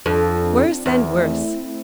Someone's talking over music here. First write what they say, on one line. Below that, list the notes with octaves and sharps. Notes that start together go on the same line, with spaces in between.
"Worse and worse."
F2 D4 F4
E2
C4 E4
A3 C4